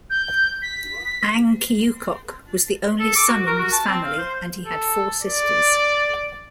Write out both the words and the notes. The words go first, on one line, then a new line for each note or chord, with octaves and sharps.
Ang Kiukok was the only son in his family and he had four sisters.
G6
B6
A4
D6
F#4
A#4
F#4
A5
C4
F5
C5
A4
D5